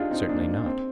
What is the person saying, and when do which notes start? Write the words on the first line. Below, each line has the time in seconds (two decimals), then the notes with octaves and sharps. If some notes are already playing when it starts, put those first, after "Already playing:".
Certainly not.
Already playing: D4 D#4 F4 G4 G#4
0.11 C4 D#4
0.29 A#3 D4
0.66 C4